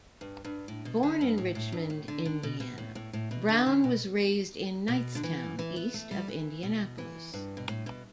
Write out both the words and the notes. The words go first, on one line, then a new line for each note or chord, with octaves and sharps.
Born in Richmond, Indiana, Brown was raised in Knightstown, east of Indianapolis.
G2
G2
A2
B2
D3
G2
A2
A2
G2
A2
D3
D3
B2
B2
A2
A2
A2
B2
D3
D3
B2
B2
D3
E3
E3
B3
A3
G3
E3
B2
E3
G2
B2
A2
B2